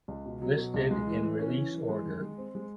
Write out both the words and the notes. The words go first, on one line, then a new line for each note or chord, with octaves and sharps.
Listed in release order.
C#2
B2
F#3
B2
C#2
G#3
E3
E3
C#4
E3
E3
G#3
D#3
G#3
C4
G#3